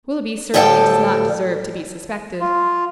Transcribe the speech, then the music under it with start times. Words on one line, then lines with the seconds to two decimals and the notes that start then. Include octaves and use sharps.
Willoughby certainly does not deserve to be suspected.
0.54 D2 A2 G3 A4 F5 G5
2.40 F4